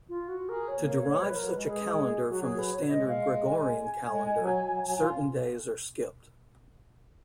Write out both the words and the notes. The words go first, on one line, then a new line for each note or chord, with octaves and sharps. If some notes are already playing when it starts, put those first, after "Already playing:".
To derive such a calendar from the standard Gregorian calendar, certain days are skipped.
F4
F#4
G#4 A#4
C#5
A#3
C#5
G#3 C#5
F3 B4
F#3 A#4
G#3 B4
G#3 G#4
F#3 F#4
G#4
B4
C#5
G#3 D#5
F5
G#5
G#3
F#3
F#3
F#3
F4